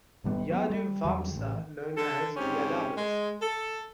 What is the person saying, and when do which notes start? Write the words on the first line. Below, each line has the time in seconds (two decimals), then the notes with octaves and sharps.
Yadu Vamsa known as Yadavas.
0.24 D1 D3 G3 B3
0.50 F#3 G#3 B3
0.70 G3
1.05 E2 D3 F#3 G3
1.36 A1
1.97 D3 A4
2.37 G#2 C4 C#4 G4
2.97 G#3
3.41 A4